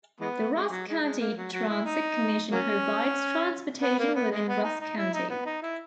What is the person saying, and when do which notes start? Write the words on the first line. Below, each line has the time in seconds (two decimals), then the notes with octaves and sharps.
The Rusk County Transit Commission provides transportation within Rusk County.
0.20 E3 G#3 B3
0.54 G#3
0.70 F#3
0.87 G#3
1.02 G#3
1.19 A#3
1.36 F#3
1.52 F#3
1.69 E4
1.85 D#4
2.51 F#3 A#3 C#4
3.81 B3
3.98 A#3
4.15 B3
4.31 G#3
4.48 B3
4.63 D#4
4.80 D#4
4.97 E4
5.13 D#4
5.29 B3
5.45 D#4
5.62 E4